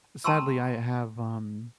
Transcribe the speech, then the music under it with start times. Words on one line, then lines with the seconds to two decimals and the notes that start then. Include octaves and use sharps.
sadly, I have, um
0.24 G5 A5 A#5 C6 C#6 E6